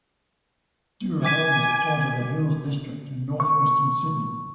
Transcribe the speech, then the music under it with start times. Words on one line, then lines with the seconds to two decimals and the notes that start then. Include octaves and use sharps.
Dural is part of the Hills District, in North Western Sydney.
1.25 G#5 D6 B6 D#7
3.40 C#6